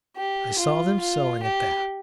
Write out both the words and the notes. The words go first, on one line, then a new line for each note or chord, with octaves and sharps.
I saw them selling at that.
G4
F4
F4
G4